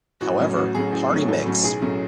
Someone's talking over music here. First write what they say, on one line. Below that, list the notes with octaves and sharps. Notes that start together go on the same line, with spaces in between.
However, Party Mix!
A1 F#4
A2 F#3 C#4
A1 F#4
A2 F#3 C#4 G#4
A1
A2 F#3 C#4
A1 A4
A2 F#3 C#4
B1 G#4
A2 F#3 A3 C#4